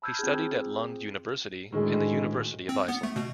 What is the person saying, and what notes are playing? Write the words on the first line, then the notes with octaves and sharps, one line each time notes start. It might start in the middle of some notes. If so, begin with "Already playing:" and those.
He studied at Lund University and the University of Iceland.
A5 B5 E6 F6 G6 G#6
C4 F4 G#4
D2 A2 D#3 G#3
C4
B3
A3
B2